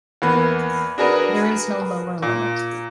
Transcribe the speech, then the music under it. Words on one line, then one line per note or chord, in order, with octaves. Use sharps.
There is no lower limit.
E2 A#3 B3
D4 F#4 G#4 A#4 B4
A#2